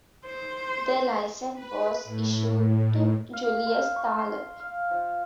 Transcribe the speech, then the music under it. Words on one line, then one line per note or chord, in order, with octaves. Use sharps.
The license was issued to Julius Thaller.
C5
B4
A2
F5
C5
C#6
C6
F5
F3